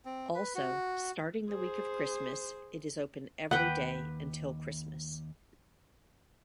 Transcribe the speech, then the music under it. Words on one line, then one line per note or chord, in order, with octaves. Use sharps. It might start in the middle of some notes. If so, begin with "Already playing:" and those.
Also, starting the week of Christmas, it is open every day until Christmas.
C4
B4
F#4
G#4 C5
D#2 B4 F#5 G5